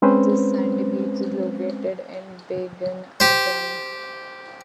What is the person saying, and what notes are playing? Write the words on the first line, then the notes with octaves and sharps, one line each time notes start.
This sandy beach is located in Bagan Ajam.
G#3 C4 C#4 B4 C5
G4 C5